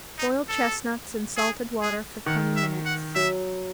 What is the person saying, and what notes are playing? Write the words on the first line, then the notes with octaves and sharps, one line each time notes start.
Boil chestnuts in salted water for twenty minutes.
D#4
A4
G#4
G#4
D#3 F#5
E5
F#5
F#3 E5